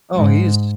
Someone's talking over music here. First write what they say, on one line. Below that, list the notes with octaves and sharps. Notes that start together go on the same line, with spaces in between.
Oh, he's
G#2